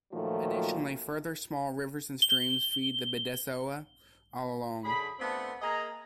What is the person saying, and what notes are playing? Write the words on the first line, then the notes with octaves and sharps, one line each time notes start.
Additionally, further small rivers and streams feed the Bidasoa all along.
A#2 D#3 F3 F#3 A3
G7
F#2 D3 G#4 B5
A3 B3 C4 D4 F4 A4
A#3 G#4 D#5 G#5 A#5